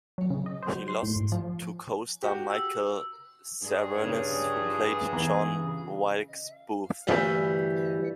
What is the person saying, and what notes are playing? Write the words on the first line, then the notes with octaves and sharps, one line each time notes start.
He lost to co-star Michael Cerveris who played John Wilkes Booth.
F#3
C#3
D#5
C5
F#3
C6
A2
G#2
F3
F#4 G4
E6
G2 G#4
C#3 C#4
F3
E3 B3 A#5
C#3
D2 G2 E3 G3